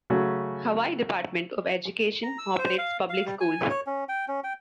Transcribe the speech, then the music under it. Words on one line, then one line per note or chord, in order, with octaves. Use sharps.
Hawaii Department of Education operates public schools.
C#3 F#3 A3 C#4 F#4
A#5
E6
C5
F5
F5
G3
G#5
C#5
C#4
G5
C#4
G5